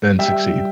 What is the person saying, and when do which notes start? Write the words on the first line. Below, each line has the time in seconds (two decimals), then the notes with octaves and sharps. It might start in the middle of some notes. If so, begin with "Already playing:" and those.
then succeed.
0.19 G3 E5 G5